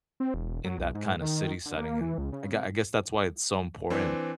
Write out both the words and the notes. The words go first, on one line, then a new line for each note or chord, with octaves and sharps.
in that kinda city setting, and I g I guess that's why it's so important
C4
E1
F#3
B1
G#2
D#3
D3
A#3
E3
C#2
C#3
C3
E3 C4 D4 B4 D5